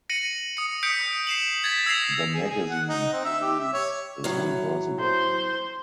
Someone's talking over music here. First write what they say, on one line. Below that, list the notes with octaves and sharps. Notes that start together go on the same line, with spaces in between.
The magazine release is reversible.
A#6 C#7 D#7 F#7
D#6 C#7
D#6 G6 B6 C#7 D7
C7 E7 F#7
G#6 A6 B6
E6 G#6 A#6 C7 F7
G#4
G#4
F#5
D#4
C4
E5
G4
E5
C#5
A2 F#3
C5